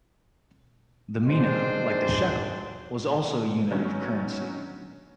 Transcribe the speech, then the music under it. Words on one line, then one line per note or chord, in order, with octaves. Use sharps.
The mina, like the shekel, was also a unit of currency.
G#1 G2 G#3 C4 D4 C5
D3 D#3 F#3 B3 C#4